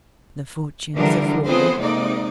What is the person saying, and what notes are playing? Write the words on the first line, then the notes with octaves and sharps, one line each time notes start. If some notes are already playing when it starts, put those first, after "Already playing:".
"The fortunes of war ..."
D3 E3 F3 G3 D4 A#4
B3 C4 F4 G#4 A4 C5
C3 G#3 A#3 D#4 D5